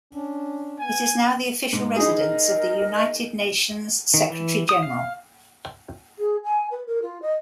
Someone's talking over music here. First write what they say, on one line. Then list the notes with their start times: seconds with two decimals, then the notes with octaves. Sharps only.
It is now the official residence of the United Nations Secretary-General.
0.13 C#4 D4
0.79 B3 G#5
1.73 G#2
1.96 D#4 E4 G#4 D#6
2.16 A#4 D#5
4.14 D#3
4.30 E3
4.69 D#6
4.83 F5
6.18 G#4
6.43 G#5
6.70 B4
6.87 A#4
7.02 F4
7.22 D#5